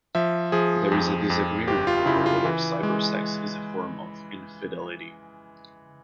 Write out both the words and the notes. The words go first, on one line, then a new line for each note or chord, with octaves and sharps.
There is disagreement over whether cybersex is a form of infidelity.
F3 E5
F3 G#4
F2
F2
G1 G4
F4
C#3 E4
F4
E3
G#3